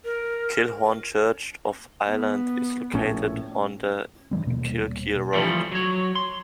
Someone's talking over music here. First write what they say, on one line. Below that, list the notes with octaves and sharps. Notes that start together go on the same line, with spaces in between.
Kilhorne Church of Ireland is located on the Kilkeel road.
A#4
B3
A#1 A2 C#4
G2 E3 G3 C4
D#1 B2 G3 A#3
E3 F3 G3 A3 C4
F#3 C#5
C6